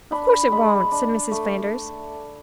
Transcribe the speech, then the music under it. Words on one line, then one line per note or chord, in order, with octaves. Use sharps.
"Of course it won't," said Mrs. Flanders.
D4 B5
G#3 B5
D4
A3